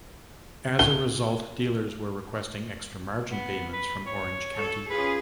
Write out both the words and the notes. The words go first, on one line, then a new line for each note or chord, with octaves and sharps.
As a result, dealers were requesting extra margin payments from Orange County.
G7
B3
B4
C#5
A4
C#4 F4 G#4 B4